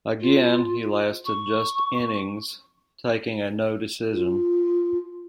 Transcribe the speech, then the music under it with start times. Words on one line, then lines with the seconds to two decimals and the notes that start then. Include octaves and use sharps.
Again he lasted just innings, taking a no-decision.
0.21 F4
1.26 C#6
4.12 F4